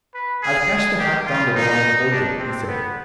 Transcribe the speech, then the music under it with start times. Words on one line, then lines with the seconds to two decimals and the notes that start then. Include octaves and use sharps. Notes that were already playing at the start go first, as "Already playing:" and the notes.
"I'll catch the hack down the road and hold it," he said.
0.14 B4
0.42 G#4
0.99 G4
1.27 F4
1.55 D#4
2.11 D4
2.39 C4
2.67 B3